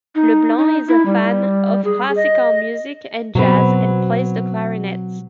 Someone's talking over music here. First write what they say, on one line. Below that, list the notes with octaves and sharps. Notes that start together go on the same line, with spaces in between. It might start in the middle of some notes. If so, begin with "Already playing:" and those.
Leblanc is a fan of classical music and jazz and plays the clarinet.
D#4
D#4
E4
G3
G#4
D#5
B2 F#3 C4 B4